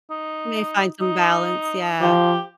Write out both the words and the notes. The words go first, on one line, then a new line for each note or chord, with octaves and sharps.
We may find some balance, yeah.
D#4
D#4
F3 G4